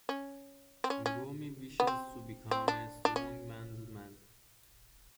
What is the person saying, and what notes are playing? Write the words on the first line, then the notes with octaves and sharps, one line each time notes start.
Megumi wishes to become a strong man's man.
C#4
C4
C#4
C#4
B3
C4
C4
D4
D4
C#4